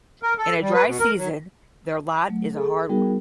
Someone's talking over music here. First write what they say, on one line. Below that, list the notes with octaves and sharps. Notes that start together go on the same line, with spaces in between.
In a dry season their lot is a hard one.
A#4
A4
G3
B4
B2
A#4
F#3
F#3 A3
G#4 A4
G3 B3 D#4 F#4 G#4 A#4